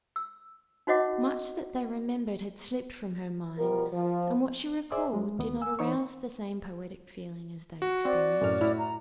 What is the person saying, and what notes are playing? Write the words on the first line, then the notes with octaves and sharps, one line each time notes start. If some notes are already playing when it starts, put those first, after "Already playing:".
Much that they remembered had slipped from her mind, and what she recalled did not arouse the same poetic feeling as they experienced.
E6
D#4 F#4 C#5 D#5 F#5 D6
B2 F3 G3 A#4
F3
G#4 C5 D5 E5 G#5
G#3
D#2 B3
G#5 E6
E3 D#4 C5 C#5 C#6
F#4
C4 D5
F#2 A2 F6
A2 E4 F6
A#5